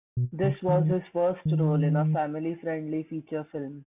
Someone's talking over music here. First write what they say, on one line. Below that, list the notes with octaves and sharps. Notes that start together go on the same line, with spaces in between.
This was his first role in a family-friendly feature film.
B2
C#3
D#3
D#3